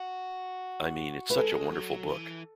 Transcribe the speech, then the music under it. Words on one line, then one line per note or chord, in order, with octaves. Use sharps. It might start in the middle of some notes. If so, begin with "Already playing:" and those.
I mean it's such a wonderful book.
Already playing: F#4
B4
G#3 A4
F#3
E3